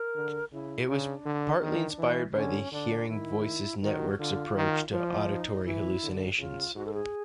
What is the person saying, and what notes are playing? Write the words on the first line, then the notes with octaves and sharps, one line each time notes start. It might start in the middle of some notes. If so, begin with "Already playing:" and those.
It was partly inspired by the Hearing Voices Network's approach to auditory hallucinations.
Already playing: A#4
D3
C#3 E4
C#3 D4
D3
D#3
E3
D3 C#4
D3 D4
D#3 E4
D#3 F#4
D3 F4
D#3
F3 F4
E4
D#4
E3 E4
D3
C#3 F4
G#2 F#4
A4
G#4